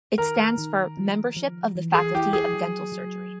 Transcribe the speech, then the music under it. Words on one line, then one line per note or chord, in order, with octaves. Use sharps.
It stands for Membership of the Faculty of Dental Surgery.
D#3 A#4
D#3
F3
F3
E3
G#4
E4 G4
G#4
F#3
F#3